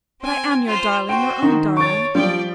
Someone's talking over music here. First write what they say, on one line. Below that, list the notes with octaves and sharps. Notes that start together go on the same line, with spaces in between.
But I am your darling, your own darling.
C4 G#5
F4 C5
F#4 C5 G5
D#3
C#5 C#6 D6 A6
F3 G3 D5 G5